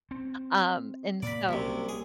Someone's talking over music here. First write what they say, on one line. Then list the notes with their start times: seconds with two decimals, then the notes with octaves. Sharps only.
um, and so
0.11 C4
1.23 A#2 D5 B5
1.49 C2 F#2 C3 A#3
1.89 G#4